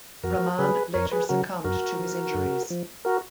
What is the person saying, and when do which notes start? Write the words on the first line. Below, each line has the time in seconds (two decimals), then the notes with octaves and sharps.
Raman later succumbed to his injuries.
0.23 F2 F#4 A#4
0.59 C#3 F#3 G#4 B4
0.94 F2 A#4 C#5
1.11 G#4 B4
1.29 C#3 F#3 F#4 A#4
1.64 F#2 F#4 A#4
1.99 F3
2.34 F#2
2.70 F3
3.05 F#4 A#4